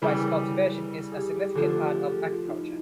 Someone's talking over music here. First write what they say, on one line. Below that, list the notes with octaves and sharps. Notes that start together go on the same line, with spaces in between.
Rice cultivation is a significant part of agriculture.
C#3 E3 G3 B4
A#4
G#4
G#4
G4
D3 F3 A3
G4
G#4
F4
D#4
E4